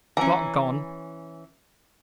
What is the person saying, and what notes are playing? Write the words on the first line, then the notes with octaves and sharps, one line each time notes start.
Clock gone.
E3 C#4 A#5